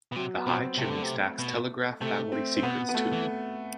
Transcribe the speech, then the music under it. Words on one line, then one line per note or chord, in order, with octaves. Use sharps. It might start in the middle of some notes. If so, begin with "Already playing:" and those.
The high chimney-stacks telegraph family secrets to him.
B2
C3 F#3
B3
B2 C4
C3 A3
D3
C3
B2
C3 A3
C4
C4
B2 B3
B3
A3
E3